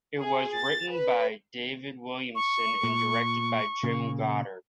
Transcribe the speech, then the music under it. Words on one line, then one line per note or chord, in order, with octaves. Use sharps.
It was written by David Williamson and directed by Jim Goddard.
G#4
A6
B4
C#6
A#2
A#2 C#3 A#3